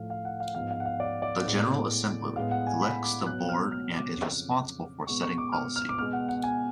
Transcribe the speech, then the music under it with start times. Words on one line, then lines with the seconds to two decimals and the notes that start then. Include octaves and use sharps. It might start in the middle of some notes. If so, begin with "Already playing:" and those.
The General Assembly elects the Board and is responsible for setting policy.
Already playing: A2 F3 A3 F5
0.10 F5
0.25 F#5
0.40 F5
0.54 G#2 F3 B3 F5
0.71 F5
0.80 F#5
0.86 F5
1.00 D5
1.22 D5
1.45 A2 G#3 B3
2.36 A2 G#3 B3 F5
2.51 F#5
2.67 G#5
2.82 B5
3.04 D6
3.26 B2 F#3 B3 F#6
3.49 F6
3.71 F6
3.94 D6
4.16 F2 C#3 F3
5.07 B2 G#3 B3 C#6
5.23 C#6
5.38 D6
5.52 F6
5.76 F6
5.89 D6
5.98 B2 G#3 B3 F6
6.13 F#5
6.29 F#5
6.44 G#5